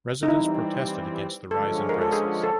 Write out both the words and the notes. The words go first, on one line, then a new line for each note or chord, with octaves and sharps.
Residents protested against the rise in prices.
D#4
E3 G3 C4 E4
D3 F3 G#3 C#4 A4
A#4
A4
G#4
A4